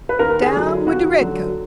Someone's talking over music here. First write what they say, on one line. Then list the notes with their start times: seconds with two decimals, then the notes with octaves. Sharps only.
Down wid de redcoats!
0.09 B4
0.19 D#2 A#4
0.42 G#4
0.53 D3 F#3
0.86 D#2 F#4
1.21 D3 F#3